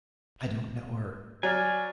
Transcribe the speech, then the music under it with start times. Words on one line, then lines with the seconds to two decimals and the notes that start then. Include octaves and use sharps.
I don't know her!'
1.43 F#3 C#5 D5 G#5 F6